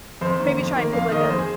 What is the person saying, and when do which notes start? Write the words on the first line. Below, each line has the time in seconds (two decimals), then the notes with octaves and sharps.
maybe try and pick, like, a
0.21 F2 C5
0.40 D#3 A#3
0.58 F2
0.76 D#3 A#3
0.93 F2 F5
1.11 D#3 A#3 D#5
1.30 F2 C5
1.39 G#4